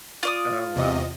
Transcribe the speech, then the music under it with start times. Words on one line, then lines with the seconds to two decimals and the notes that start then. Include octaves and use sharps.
Oh, wow.
0.23 F4 D5 D#6
0.75 E2 C3 D#5